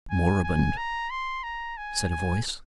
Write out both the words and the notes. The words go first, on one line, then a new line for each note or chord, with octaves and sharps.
"Moribund," said a voice.
G#5
G#5
A#5
C6
A#5
G#5
G#5